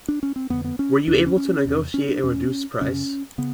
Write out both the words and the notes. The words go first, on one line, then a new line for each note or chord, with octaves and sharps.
Were you able to negotiate a reduced price?
D4
C#4
C4
F2 D3 B3
B3
C#4
D#2 C#3 D4
D4
C#4
C#4
E2 C3
C#4
D4
E2 B2 C#4
F#2 C#3 C#4
C#3 B3